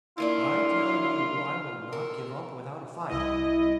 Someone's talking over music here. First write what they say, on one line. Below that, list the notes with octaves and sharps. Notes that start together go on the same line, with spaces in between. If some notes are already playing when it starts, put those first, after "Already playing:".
But I tell you I will not give up without a fight.
D#3 A#3 D4 E4 F4
A4 A#4
C2 E4 D#5